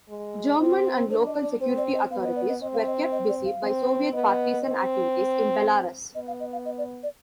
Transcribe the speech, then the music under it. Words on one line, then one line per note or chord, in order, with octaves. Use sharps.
German and local security authorities were kept busy by Soviet partisan activities in Belarus.
G#3
C4 F4
D4 C5
D#5
D5
C4 C5
D5
D#5
B3 F5
D#5
D5
D#5
C4 D#5
F5
D#5
D#5
D5
F5
C4
B3 D#5
C4
B3 D#5
F5
D#5
F5
D#5
D5
D5